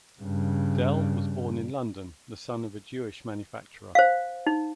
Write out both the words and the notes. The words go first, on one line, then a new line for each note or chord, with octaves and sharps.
Dell was born in London, the son of a Jewish manufacturer.
G2 C#3
C5 F5
D#4